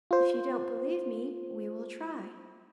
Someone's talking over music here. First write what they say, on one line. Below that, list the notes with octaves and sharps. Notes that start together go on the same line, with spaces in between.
If you don't believe me, we will try.
F4 C5